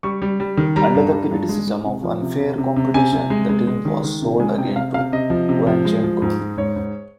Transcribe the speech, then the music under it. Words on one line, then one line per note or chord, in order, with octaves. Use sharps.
Under the criticism of unfair competition, the team was sold again to Guancheng Group.
G3 C#6
G3
G3
D#3
G3 A#5
G2
G3
G2
G#3
G#3
C3
F3
C3
C3
C3
C3
C3 G#5
C3
G#3
G#3
G#3
D#3
D#3
C3
G#3 G#5
C3 G5
C3 F5
C3 F5
C3 D#5
F3
C3
F3
G#3
F3
G#2
G#3
G#2 C#5
G#2